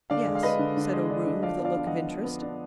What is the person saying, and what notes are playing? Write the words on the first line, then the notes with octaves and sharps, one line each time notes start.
"Yes," said O'Roon, with a look of interest.
D3 D5 F5
G#3
F5
D4 B4 D#5
D3
D3
G#3
D4
D3
F3 D5 F5
B3
D5 F5
D4
D#5 F#5
F3
F3
B3
D4